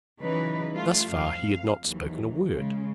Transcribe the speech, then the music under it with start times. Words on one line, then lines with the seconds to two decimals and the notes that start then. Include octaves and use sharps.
Thus far he had not spoken a word.
0.21 C#3 E3 F#3 D#4 B4
0.72 G3 A3 F4
1.08 F2 F5
1.84 D#2 E3 F#3
2.52 C#3 G#3